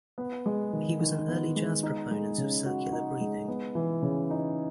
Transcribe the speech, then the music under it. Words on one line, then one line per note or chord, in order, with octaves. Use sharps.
He was an early jazz proponent of circular breathing.
B3
G#3
D#3
D#3
B3
G#3
D#4
G#3
C#3
F#4
D#4
G#3
B3
E3
C#3
D#4